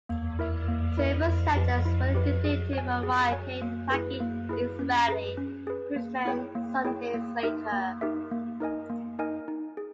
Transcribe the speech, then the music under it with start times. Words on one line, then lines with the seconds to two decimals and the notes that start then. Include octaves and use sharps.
Several settlers were indicted for rioting and attacking Israeli policemen some days later.
0.09 A#3
0.39 E4 A#4 E5
0.68 A#3
0.97 E4 A#4 E5
1.27 E4
1.57 G4 B4
1.85 E4
2.15 G4 B4
2.44 G#4
2.73 C#5 G#5
3.03 G#4
3.32 C#5 G#5
3.62 A#3
3.90 E4 G#4 B4
4.20 A#3
4.49 E4 G#4 B4
4.79 C#4
5.08 G#4 B4
5.37 C#4
5.67 G#4 B4
5.96 A#3
6.25 E4 G#4 C#5 G5
6.55 A#3
6.84 E4 G#4 C#5 G5
7.14 A#3
7.43 D#4 G4 A#4 E5
7.72 A#3
8.01 D#4 G4 A#4 E5
8.31 A#3
8.60 D#4 A#4 D#5 G#5
8.90 A#3
9.19 D#4 A#4 D#5 G#5
9.48 D#4
9.77 G#4